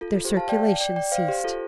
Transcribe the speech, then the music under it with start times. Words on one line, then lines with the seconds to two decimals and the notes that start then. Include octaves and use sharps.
There circulation ceased.
0.01 F4 A4
0.25 G4 C5
0.37 F5 A5
0.49 D5 G5
0.80 D5 G5
0.96 D5 G5
1.12 C5 F5
1.28 G4 C5
1.44 F4 A4